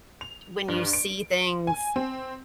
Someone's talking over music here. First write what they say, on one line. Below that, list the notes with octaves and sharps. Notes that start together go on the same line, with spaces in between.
when you see things
F7
G2
D7
G#5
C4